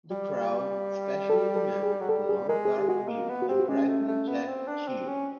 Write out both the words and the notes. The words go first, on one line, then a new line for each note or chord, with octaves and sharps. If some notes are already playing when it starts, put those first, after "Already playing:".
The crowd, especially the man with the long dark beard and bright blue jacket, cheer.
G3
A4
A4
G#4
F#3
G3 A4
G#4
G#3 A#4
G#4
G4
G#3 F#4
A#3
B3
F#4
C4 G4
F#4
G#3 C#4
A3
A3
B3
C4
D4
C4
C#4